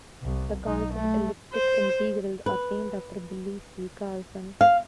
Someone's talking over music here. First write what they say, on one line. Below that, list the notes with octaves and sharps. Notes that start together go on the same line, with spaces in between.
The Carlson elliptic integrals are named after Bille C. Carlson.
C2
B1 D#4
A3
C5
B4
F5